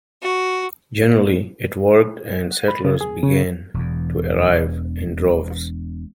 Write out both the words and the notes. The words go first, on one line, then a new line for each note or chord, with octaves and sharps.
Generally it worked and settlers began to arrive in droves.
F#4
B5
C#3
G#4
C#3
E1 E2